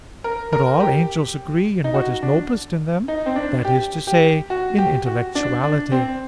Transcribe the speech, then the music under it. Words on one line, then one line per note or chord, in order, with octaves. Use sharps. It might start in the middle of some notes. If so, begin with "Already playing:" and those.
But all angels agree in what is noblest in them--that is to say, in intellectuality.
A#4
A#4
G4
D#4
F#4
D4
D#4
C4
D4
G4
G4
F#4
G4
F#4
D4
D4
C4